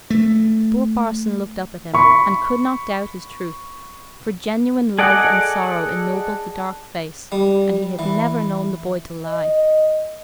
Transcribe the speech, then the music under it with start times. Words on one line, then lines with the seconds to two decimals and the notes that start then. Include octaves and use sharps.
The poor parson looked up at him, and could not doubt his truth; for genuine love and sorrow ennobled the dark face, and he had never known the boy to lie.
0.10 A3
1.94 B5 C#6
4.99 G#4 A4 D5 D#5 F#5
7.32 G3
7.99 E3
9.26 D#5